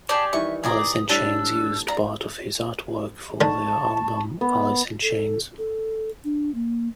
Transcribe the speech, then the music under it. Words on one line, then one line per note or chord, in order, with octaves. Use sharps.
Alice in Chains used part of his artwork for their album "Alice in Chains".
G4 G#4 D5 A5
D#3 E3 G3 E5 C#6
G#4 D5 A#5 D#6
A2 G3 D4 E6
D5 F5 A#5
D3 D#4 A5 C#6
B3
A4
A4
D4
A#3